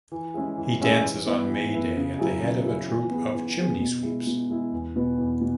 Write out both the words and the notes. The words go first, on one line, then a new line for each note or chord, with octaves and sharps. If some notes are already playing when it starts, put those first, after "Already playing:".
He dances on May Day at the head of a troop of chimney-sweeps.
E3
G#3 C#4 E4 G#4
E3
G#3 C#4 E4 G#4
E3
B3 E4
E3
B3 E4
C#3
F#3 C#4 E4 G#4
C#3
F#3 C#4 E4 G#4
E3
B3 G#4
E3
B3 G#4
B2
G#3 E4 G#4
B2
G#3 E4 G#4
E2
B2 B3
E2
B2